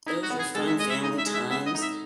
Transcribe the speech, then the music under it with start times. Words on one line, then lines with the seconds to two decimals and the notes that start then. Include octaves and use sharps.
those were fun family times,
0.06 D#4 E4
0.23 F#4
0.30 B3
0.39 G#4
0.55 G#3 A4
0.67 E5
0.79 G#3 D#5
0.90 E5
1.03 D#4 D#5
1.18 E5
1.26 G#3
1.34 E5
1.50 B3 E5
1.66 D#5
1.75 D#4
1.82 E5